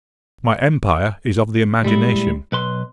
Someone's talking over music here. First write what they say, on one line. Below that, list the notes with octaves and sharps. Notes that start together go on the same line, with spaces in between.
My empire is of the imagination.
A#2 G3 G#3 E4
B1 B4 C6